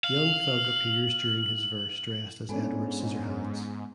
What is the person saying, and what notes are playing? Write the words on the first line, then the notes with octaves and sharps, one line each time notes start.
Young Thug appears during his verse dressed as "Edward Scissorhands".
F5 F#7
G#2 G#3 B3 C#4 D4 A4